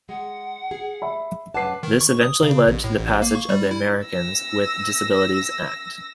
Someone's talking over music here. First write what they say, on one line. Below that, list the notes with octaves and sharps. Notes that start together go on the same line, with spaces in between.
This eventually led to the passage of the Americans with Disabilities Act.
G#3 F#5
G#4
E5 B5
F#2 B4 F#5 A5 D6 C7
D#3
C#6
D#6
C#3
A1
A2
A1
A#3
C#6
G3
E4
E6 A#6